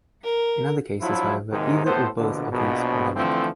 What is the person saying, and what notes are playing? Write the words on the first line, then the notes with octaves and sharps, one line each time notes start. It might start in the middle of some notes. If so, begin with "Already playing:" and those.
In other cases, however, either or both of these are dynamic.
A#4
F3 F#3 D4 E4
D#2 G#2 C3 D#3
A2 B3 A4 C5
A#1 B2 D3
A#1 B2
D3 E3 F3 A3 C4